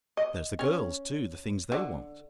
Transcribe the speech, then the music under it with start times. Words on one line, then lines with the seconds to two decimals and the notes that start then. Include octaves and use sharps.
There's the girls, too--the things they want!
0.17 D#5
0.59 C#4
1.72 D3